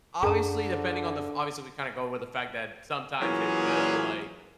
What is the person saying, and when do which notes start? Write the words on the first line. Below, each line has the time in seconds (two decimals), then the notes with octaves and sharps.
Obviously, depending on the f obviously, we kinda go with the fact that sometimes it will, like,
0.23 F#2 D3 G#4 A5 A#5
3.21 E3 F#3 A#3 C#4 F4 G#4